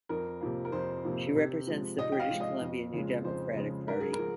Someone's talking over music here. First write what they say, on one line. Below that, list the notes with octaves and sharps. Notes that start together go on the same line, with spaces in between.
She represents the British Columbia New Democratic Party.
F2 A#4
C3 F3 A#3
A#4
F2 C5
C3 F3 A#3
C3
F3 G#3
C3 D#5
G5
F5
F3 G#3
D#5
F2
C#3 F3 G#3
F2 C5
C#3 F3 G#3
G#2 A#4
G#4
A#4
F3